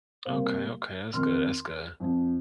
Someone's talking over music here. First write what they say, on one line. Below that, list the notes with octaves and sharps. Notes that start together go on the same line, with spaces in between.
Okay, okay, that's good, that's good,
C3 G3 A#3 C5 F5
F2 D#3 C4 C6 F6
F2 F3 C4